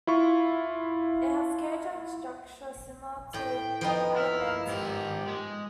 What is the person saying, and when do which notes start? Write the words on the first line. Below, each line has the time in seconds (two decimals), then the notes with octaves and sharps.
It has a cage-like structure similar to adamantane.
0.07 E4 F4 C#6
3.34 A2 G5
3.81 F3 B3 D#4
4.17 E4 F6
4.67 G#2 G4 A#4
5.27 G#3